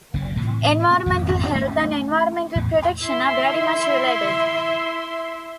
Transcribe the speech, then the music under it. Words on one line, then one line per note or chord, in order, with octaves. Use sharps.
Environmental health and environmental protection are very much related.
F#1 C#3
A2 C3 E3
G#1 F2 A#2
A3 C#4
E2 A2
E4 E5 C6